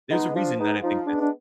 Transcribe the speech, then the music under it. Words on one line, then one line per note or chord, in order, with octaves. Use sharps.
There's a reason that I think this.
G#3 B3 D#4
F3 D4
G#3 B3 D#4
F3 D#4
G#3 B3 D4
D4